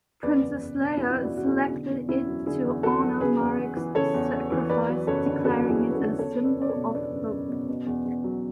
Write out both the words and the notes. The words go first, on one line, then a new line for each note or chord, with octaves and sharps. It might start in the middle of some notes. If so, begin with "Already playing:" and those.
Princess Leia selected it to honor Marek's sacrifice, declaring it a "symbol of hope".
E2 B4 D5
F#1
F#1
B2
E2 C#4 E4
E4
F#1
D4 F#4
F#1 F#4
E4 G#4
B2
D3
E2
E2 C#4 E4
F#3
D3 E4 G#4
E2
E2 F#4 A4
F#3
C#3 G#4 B4
E2
E2
E3
C#3 A4 C#5
E2
E2
E3
E2 B4 D5
F#3
F#1 A4 C#5
D3
E2 F#4 A4
F#3
E4 G#4
F#1
B4
F#4 A4
D3
E2 A4 C#5
F#1
B4 D5
F#1
D5
A4 C#5
B2
E2 B3 D4
F#1
F#1
B2
B2
E2
E2
F#3